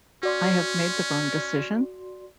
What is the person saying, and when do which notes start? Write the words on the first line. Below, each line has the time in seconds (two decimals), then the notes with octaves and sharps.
I have made the wrong decision?
0.23 C#4 F#4 D5 C6